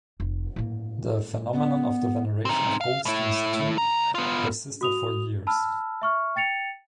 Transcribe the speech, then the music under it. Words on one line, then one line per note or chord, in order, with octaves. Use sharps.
The phenomenon of the veneration of Goldstein's tomb persisted for years.
F1
A2 A#3
B3
C4 D#4
F5
A2 E4
C2 A#5
B3 F4
F#4 D#6 F7
A5 B5 E6 F6
E5 C#6 F6
G5 A6 C#7 F7